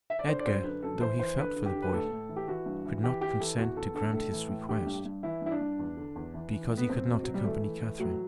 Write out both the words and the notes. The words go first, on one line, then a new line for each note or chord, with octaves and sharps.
Edgar, though he felt for the boy, could not consent to grant his request; because he could not accompany Catherine.
E5
D5
D3 C5
D5
F#2 C5
D3 B4
F#2 A4
E3 C5
E3 C5
D3 B4
D3
G4
D3
B4
A2 A4
A2
E3
G4
E3 F#4
G2
E3
E3 G4
E3 G4
E3 A4
E2 F#4
E2 A4
D3 A4
A2 A4
E3
A2
D3 G4
G2
G2
E3 E4
G2 E4
D4
G2
E2
D3
E2
E3
E3
A2
B3
E2 C4
B2
B2 F#3
G3
E3 A3
E3
E3
A2 F#3